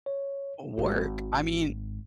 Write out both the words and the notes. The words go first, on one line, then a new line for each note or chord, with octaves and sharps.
work. I mean,
C#5
G#1 G#2 F#4